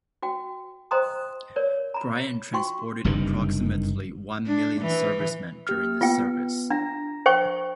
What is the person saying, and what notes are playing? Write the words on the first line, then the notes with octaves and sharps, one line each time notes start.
Bryant transported approximately one million servicemen during this service.
F#4 G5
C5 D#5 G5 A#5 C6 D#6
A#4 C#5 D5
A#5 B5
F4 F#4 G5 C6 C#6
F#1 G2 C3 D#3
D4
E3
A#3 G4 F6
B3 F4 G5
D4 A#5 A#6
C5 G5 C#6